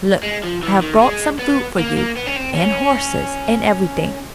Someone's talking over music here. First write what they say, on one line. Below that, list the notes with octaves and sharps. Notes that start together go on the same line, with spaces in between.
Look, I have brought some food for you, and horses, and everything.
G#3
F3
E3
D#3
G#3
B3
A#3
A#3
B3
C#4
C4
C#4